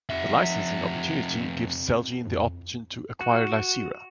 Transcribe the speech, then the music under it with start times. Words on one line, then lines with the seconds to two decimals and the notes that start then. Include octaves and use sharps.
The licensing opportunity gives Celgene the option to acquire Lycera.
0.10 F2 E5
3.21 F#4